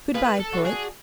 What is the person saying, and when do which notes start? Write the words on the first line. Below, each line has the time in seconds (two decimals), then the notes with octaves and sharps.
Good-bye, poet.
0.14 F4 G#4 B4
0.40 A4
0.52 D4 F#4
0.65 G#4